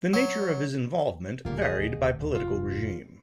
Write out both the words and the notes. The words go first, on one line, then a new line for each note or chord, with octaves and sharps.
The nature of his involvement varied by political regime.
F#3
D#1 D2 A#2 G3 A#3 F4
G#4 D#5
F1 D#2 F4